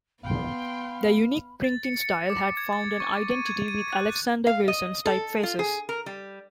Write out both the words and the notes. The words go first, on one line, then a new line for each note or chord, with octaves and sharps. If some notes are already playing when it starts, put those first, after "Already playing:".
Their unique printing style had found an identity with Alexander Wilson's type faces.
B3 F5 G5 B5 C6
A6
C#7
C#7
D6
G#6
A6
C#6
D#7
G#6
D#7
F#6
F5
D#5
A4
F4
G#4
A#4
G3